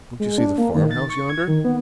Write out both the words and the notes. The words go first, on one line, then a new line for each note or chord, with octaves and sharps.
Don't you see the farm-house yonder?
G#3
D4
A#3
D#3
A6
C#6
G#6
D#3
B3